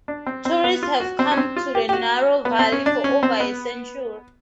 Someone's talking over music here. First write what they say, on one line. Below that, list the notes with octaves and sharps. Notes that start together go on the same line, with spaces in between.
Tourists have come to the narrow valley for over a century.
D4
C4
C4
B3
F4
F#4
C4
C#4
C4
F4
G4
G4
F#4
B3
C4
C#4
D4
C#4
C4
B3